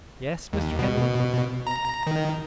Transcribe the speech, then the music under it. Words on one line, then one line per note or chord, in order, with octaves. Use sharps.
"Yes, Mr. Kennedy?"
D#2
B2
A#5
D#3